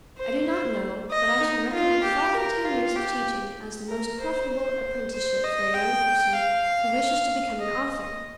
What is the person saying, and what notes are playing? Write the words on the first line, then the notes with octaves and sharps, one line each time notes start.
I do not know but I should recommend five or ten years of teaching as the most profitable apprenticeship for a young person who wished to become an author.
C5
C5
D#5
D#4
F4
G4
A#4
F4
G4
A#4
C5
C5
C5
D#5
G5
F5
D#5
D#5